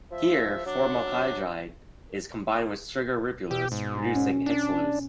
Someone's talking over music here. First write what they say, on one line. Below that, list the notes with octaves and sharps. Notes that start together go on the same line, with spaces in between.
Here formaldehyde is combined with sugar ribulose, producing hexulose.
F3 E5
F#3 D4
B2 G4
G#2
C#4
D4